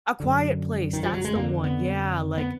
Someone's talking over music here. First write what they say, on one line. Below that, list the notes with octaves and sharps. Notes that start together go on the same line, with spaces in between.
A Quiet Place, that's the one, yeah, like,
F#2 D3
D#3
F3
F#3
G#3
F2 D3 A#3
B3
B3